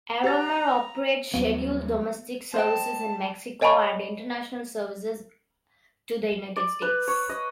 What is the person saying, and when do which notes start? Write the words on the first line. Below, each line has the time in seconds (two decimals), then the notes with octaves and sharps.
Aeromar operates scheduled domestic services in Mexico and international services to the United States.
0.24 G4 F#5 A#5 A6
1.34 D#2 F#3 G3 B3
2.54 C5 D#5 G5 A5
3.61 C#5 D#5 G#5 A5 B5 C#6
6.56 D5
6.82 B4
7.08 C#5
7.29 D#5